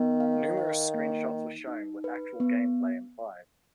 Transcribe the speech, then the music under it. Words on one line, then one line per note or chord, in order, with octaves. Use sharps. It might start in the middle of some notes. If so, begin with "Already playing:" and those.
Numerous screen shots were shown, with actual gameplay implied.
Already playing: D#3 B3
F5
F5
A#3
D#4
D#4
B4
B3